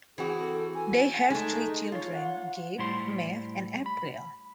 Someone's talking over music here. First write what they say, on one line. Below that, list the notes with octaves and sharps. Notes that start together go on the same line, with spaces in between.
They have three children: Gabe, Matt, and April.
E3 C4 F#4 G#4
A4
G#5
G#3 A3 D#4
F4 C#5
F#5
A2 G3 E4 G4 C5 C6
B5